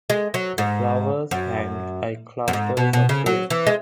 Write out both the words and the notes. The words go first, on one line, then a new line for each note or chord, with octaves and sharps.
The flowers hang like clusters of grapes.
G#3
F#3
G#2
F#2
F#2
G#2
B2
B2
C#3
F#3
E3
G#3